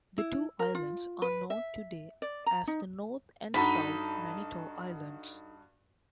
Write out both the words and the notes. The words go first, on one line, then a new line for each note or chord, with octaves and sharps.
The two islands are known today as the North and South Manitou Islands.
E4
A#4
F4
B4
E5
D5
A#5
D#4
G2 D4 D#4 F#4 A4 A#5 B5